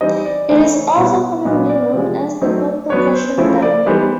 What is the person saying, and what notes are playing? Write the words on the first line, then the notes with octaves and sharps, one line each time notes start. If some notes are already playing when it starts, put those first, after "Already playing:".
It is also commonly known as the purple passion danio.
E3 G3 C4 D#4 D#5
D5
C#3 E3 A3 C5
C#5
B2 G3 B3 E4 C#5
A#2 F#3 B3 D#5
D5
C3 F3 G#3
F#3 A3 C4 D#4
F#3 B3 D4 C#5
C5
C#3 F3 A3 C4 E4 C#5
D5
E3 G3 B3 D#4 C5